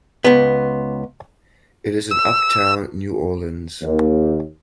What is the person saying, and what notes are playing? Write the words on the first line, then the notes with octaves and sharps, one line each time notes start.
It is in Uptown New Orleans.
C#2 B3
E6
D#2